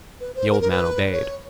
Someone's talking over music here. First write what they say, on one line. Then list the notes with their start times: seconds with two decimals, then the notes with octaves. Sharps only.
The old man obeyed.
0.20 B4
0.35 C5
0.50 A#4
0.61 A#4
0.71 B4
1.13 C#5